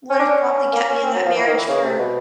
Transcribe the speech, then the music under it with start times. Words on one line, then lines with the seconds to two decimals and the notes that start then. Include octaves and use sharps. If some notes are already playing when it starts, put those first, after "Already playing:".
would have probably kept me in that marriage for
0.10 C#4
0.19 D4
0.31 C#4
0.72 A#3
0.89 C#4
1.04 C4
1.15 F#3
1.25 F3
1.36 E3
1.47 D#3
1.57 E3
1.68 C#3
1.84 C3
1.99 B2